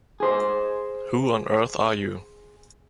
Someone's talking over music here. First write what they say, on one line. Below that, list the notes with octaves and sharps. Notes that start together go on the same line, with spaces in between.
Who on earth are you?
G#4 C5